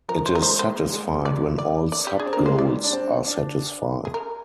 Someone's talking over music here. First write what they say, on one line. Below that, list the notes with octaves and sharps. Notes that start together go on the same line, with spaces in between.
It is satisfied when all sub-goals are satisfied.
F3 A#4
F3 C5
A#4
G#3 C5
G#3 C5
A#3
G#3
G3
D5
D5
D5
G4
D4 G#4
C4
A#3 A#4
G#3 C5
G3 D5
D4
C4
D4
G#4
A#4